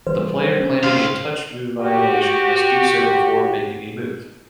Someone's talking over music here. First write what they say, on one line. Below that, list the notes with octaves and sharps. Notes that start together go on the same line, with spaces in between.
The player claiming a touch-move violation must do so before making a move.
E3 G3 B4 C5
C#4
C#2 F5 C6
F#4 G4